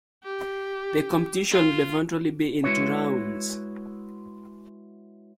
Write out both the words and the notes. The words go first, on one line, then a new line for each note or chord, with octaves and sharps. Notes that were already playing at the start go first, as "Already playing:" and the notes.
The competition would eventually be in two rounds.
G4
F4
G#3 E4 F#4 B4 C#5